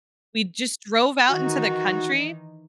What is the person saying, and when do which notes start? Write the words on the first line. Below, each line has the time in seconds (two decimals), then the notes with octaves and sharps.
we just drove out into the country,
1.29 D#3 E3 D#4 F#4